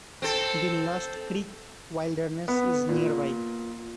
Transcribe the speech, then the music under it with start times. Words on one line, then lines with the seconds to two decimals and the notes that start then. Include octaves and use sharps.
The Lusk Creek Wilderness is nearby.
0.22 C4 A4
2.48 B3
2.89 A#2